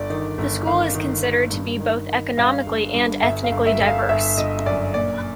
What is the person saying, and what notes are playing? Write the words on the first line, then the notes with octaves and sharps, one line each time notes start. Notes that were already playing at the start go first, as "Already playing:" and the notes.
The school is considered to be both economically and ethnically diverse.
Already playing: G1 D5
D#3
G1
D#3 F5
D#3
D#3
G2
D#3
D#3
G2 F5
G1
G2
G1 E5
F5
G1
E5
G1
F5
G1 E5
G1 D#5
F#2 D5
A#2 D5